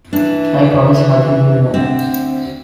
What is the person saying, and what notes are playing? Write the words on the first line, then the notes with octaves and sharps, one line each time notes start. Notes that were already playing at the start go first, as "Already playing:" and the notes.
I promise nothing, you know.
E3 D4
D2 C4